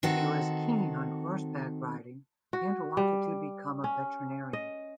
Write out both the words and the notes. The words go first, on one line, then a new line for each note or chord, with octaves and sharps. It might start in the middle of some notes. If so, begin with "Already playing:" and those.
She was keen on horseback riding and wanted to become a veterinarian.
D#3 C4 F#4 A4
F#4
G3
C#4
D#5